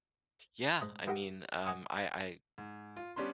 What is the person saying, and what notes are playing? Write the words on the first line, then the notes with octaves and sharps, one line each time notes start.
Yeah, I mean, um, I I
G#2 D#5 A5
D#3 D#4 G4 A4 F#5 A#5
D#5 F#5 G#5 C#6 D#6
G#2
F4
G3 B3 C#4 D4 C6